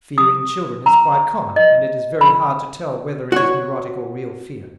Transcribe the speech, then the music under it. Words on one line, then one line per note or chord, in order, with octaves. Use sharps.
Fear in children is quite common and it is very hard to tell whether it is neurotic or real fear.
D#6
A#5
D#5
B5
F#4 C#5